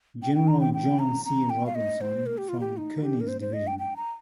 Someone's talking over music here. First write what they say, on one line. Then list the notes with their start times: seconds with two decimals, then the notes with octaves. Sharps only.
General John C. Robinson from Kearny's division.
0.23 G5
0.35 G5
0.48 A#5
0.61 G5
0.74 G5
0.99 A#5
1.25 A#5
1.50 G5
1.66 F5
1.75 D#5
2.01 C5
2.26 A#4
2.38 G4
2.49 F4
2.60 G4
2.77 D#4
3.03 G4
3.20 A#4
3.28 C5
3.41 C5
3.53 D#5
3.67 G5
3.79 G5
3.96 A#5